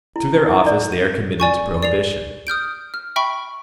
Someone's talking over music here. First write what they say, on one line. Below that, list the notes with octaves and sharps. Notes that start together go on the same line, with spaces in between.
Through their office they are committed to prohibition.
E4
D#4
E4
D5
D#7
D5 G#5 C#6
D5 C7 F7
D#6 F6 G6 D7
F6
E5 G5 B5 C#6